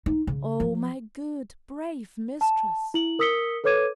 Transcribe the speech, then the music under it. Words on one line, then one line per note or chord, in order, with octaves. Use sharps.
O my good, brave mistress!
D#4
C#3
F3
A5
E4 F#7
A#4 D#6 E6 B6 C#7 G7
A4 B4 C#5 D6 G#6 D#7